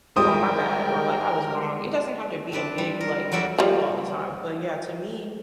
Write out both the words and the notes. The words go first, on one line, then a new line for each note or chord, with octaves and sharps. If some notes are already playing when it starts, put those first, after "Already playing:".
"Oh, my bad," or, like, "I was wrong." It doesn't have to be a big, like, thing all the time, but yeah, to me,
G3 G#3 A#4 C5 G5 D#6
C4 D4 B4 D5
G3
A#4
F2 F#3 F#4 D5 E5 F#5
F3 G3